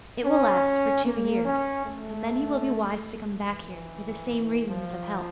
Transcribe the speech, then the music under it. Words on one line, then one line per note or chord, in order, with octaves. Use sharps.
It will last for two years, and then he will be wise to come back here for the same reasons of health.
C#4
A#3
C#4
A3
E3
F3